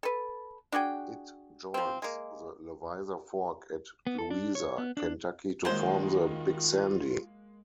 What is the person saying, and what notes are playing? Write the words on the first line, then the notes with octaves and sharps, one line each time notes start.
It joins the Levisa Fork at Louisa, Kentucky to form the Big Sandy.
A4 B4
D4 F#4 G#4 G5
F3 C4
G#3 A#3
B3
A4
D4
C#5
B3
D4
D#3 F#3 G#3 A#3 F4 F#4 C5